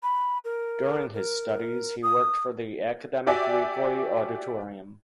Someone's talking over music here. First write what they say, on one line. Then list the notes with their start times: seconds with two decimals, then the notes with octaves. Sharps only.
During his studies he worked for the academic weekly "Auditorium".
0.03 B5
0.45 A#4
1.14 A#4
2.03 D#6
3.27 F#4 G4 D5 E5 G5 G#5